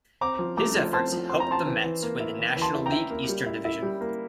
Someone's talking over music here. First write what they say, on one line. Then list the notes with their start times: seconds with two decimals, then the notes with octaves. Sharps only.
His efforts helped the Mets win the National League Eastern Division.
0.21 C4 A#5 D6
0.39 F3
0.57 A3 A#5 D6
0.75 F3
0.93 C4 A5 C6
1.12 F3
1.29 C4 C6
1.40 A#5
1.48 C4 A5 C6
1.66 E3
1.84 E3
2.02 A#3
2.20 E4
2.38 E3
2.56 E3
2.62 A5 C6
2.75 E4
2.86 G5 A#5
2.92 E4
3.10 A#3
3.29 G3
3.46 E4
3.65 E4
3.82 G3
4.01 A#3